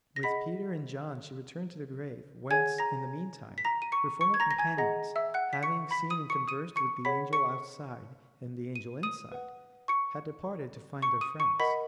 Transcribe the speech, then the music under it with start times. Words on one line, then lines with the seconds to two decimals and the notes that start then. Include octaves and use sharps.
With Peter and John she returned to the grave, whence, in the mean time, her former companions, having seen and conversed with the angel outside and the angel inside, had departed to find their friends.
0.16 A#6
0.23 G#4 D#5 F#5 B5 B6
2.50 G#4 C#5 F#5 G#5 G#6
2.78 A#5 A#6
3.58 B6
3.65 A#5 A#6
3.82 D#7
3.92 C#6 C#7
4.21 C#6 C#7
4.34 G#6
4.40 A#5 A#6
4.51 A#6
4.58 G#5 G#6
4.77 G#4 D#5 F#5 A#5 A#6
5.16 E5 E6
5.34 F#5 F#6
5.53 B6
5.63 C#6 C#7
5.91 B5 B6
6.10 D#6 D#7
6.30 C#6 C#7
6.48 D#6 D#7
6.76 C#6 C#7
7.05 G#4 C#5 F#5 B5 B6
7.33 C#6 C#7
8.76 D#7
9.03 D#6 D#7
9.32 B4 F#5
9.88 C#6 C#7
11.02 C#6 C#7
11.21 D#6 D#7
11.40 C#6 C#7
11.60 A#4 D#5 F#5 B5 B6